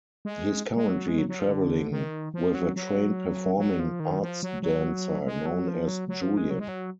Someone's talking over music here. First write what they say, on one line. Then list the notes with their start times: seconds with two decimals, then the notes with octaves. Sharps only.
He is currently traveling with a trained performing arts dancer known as Julian.
0.25 G#3
0.77 G#3
0.87 F#3
1.08 G#3
1.18 F#3
1.29 F#3
1.40 F3
1.50 D3
1.91 D#3
2.34 F3
2.55 F#3
2.76 F#3
3.58 F#3
3.80 F3
4.00 D#3
4.22 F3
4.43 F#3
4.63 F#3
5.26 G#3
5.46 F#3
5.68 F3
5.88 F#3
6.09 F#3
6.22 F3
6.37 G#3
6.51 F#3
6.59 G#3
6.68 F#3